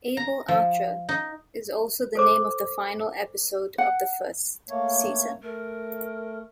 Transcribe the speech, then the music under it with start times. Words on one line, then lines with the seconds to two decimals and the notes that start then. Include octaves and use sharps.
Able Archer is also the name of the final episode of the first season.
0.17 A#5
0.48 F3
1.09 D#4
2.15 A4 C5 D6
3.78 F#5
4.69 A3 A#3 C#5
5.43 A3 A#4